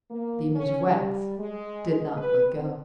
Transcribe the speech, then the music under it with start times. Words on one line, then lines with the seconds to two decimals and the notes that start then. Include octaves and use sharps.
The image of wax did not let go.
0.11 A#3
0.55 C#4
0.86 G3
1.38 G#3
1.87 G#3
2.17 B4
2.46 C4